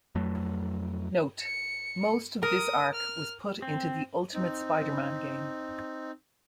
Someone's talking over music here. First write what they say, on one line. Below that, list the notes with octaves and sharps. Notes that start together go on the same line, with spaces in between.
Note: Most of this arc was put into the Ultimate Spider-man game.
F2 F#3 A3
C#7
A#4 D#6
F6
C4
C4 D#4